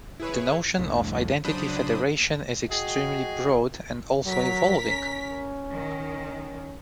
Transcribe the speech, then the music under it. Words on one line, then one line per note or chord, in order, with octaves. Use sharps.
The notion of identity federation is extremely broad, and also evolving.
E4 G#4 B4 C#5
C2 F2 A2 D3
C#3 F#3 D4 C5 B5 D#6
F#4 G#4 D#5 G5
F#3 A#4 B6
C#4
D#3